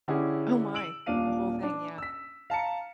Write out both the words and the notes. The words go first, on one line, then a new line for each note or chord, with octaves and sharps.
Oh my. The whole thing, yeah.
D3 C#4 E4 G4 G#4
E6 D7 F#7
D#1 A#2 D4 F5 D#7
D4
E6 B6
F5 A5 A#5 C#7